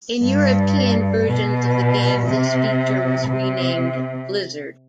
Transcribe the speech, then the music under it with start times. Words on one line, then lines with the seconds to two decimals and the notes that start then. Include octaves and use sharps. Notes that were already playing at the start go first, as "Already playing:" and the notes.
In European versions of the game, this feature was renamed Blizzard.
0.23 G2
1.25 B2
2.26 C3
3.27 C3